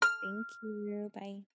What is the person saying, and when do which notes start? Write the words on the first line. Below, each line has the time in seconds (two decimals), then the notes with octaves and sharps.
Thank you. Bye.
0.02 F6